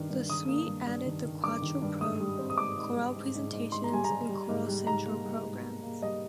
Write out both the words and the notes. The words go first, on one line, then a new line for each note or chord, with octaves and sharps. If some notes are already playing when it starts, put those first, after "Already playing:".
This suite added the Quattro Pro, Corel Presentations and CorelCentral programs.
Already playing: G2 D#3
G2
D#3 D#6
A#3
G2
G2
D#3
D#3
G2 D6
D#3
G2
G#2 D#6
G3
C4
D#6
G#2 D6
G#2
G3
G#2
G#2
G#2
G#2 C6
A#5
G3 G#5
A#5
G3
G3
G#2
G3
G#2 A#5
A#3
G3
G#2
A#3
A#3
G3 D#5